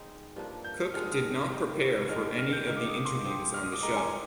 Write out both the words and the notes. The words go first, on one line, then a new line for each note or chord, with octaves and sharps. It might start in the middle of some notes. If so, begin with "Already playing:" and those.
Cook did not prepare for any of the interviews on the show.
Already playing: G#3 C4 D#4
G2 F3 A#3 D4
G6
G2 D#3 G#3 D4 F6
D#6
F6
D#6
G3 A#3 D#4
G2 D#3 G#3 D4 F6
F6
G6
G#2 D#3 A#3 D#4 F6
D6
D#6
D6
C6
D6
G#2 F3 C4 G4 D#6
F6
D#6
D6
G#3 C4 F4 A#4 A#5
G#5